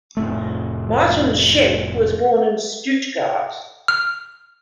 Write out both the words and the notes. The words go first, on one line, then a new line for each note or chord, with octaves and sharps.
Martin Schempp was born in Stuttgart.
F1 A2 A3
F6